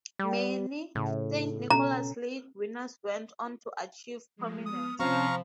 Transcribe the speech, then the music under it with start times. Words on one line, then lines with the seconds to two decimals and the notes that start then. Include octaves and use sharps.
Many "Saint Nicholas League" winners went on to achieve prominence.
0.19 G3
0.95 A2 C#3
1.70 B2 C#4 A4 A#5
4.36 F3 G#3
4.66 B3 D#6 F6
5.00 C3 F3 C4 C#4 F5 A#5 B5 C#6